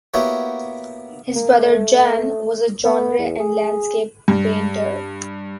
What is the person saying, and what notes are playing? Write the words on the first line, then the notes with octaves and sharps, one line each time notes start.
His brother Jan was a genre and landscape painter.
A#3 B3 E4 F#4 G4 C#5
A#3
A3
B3
E2
G#4
G2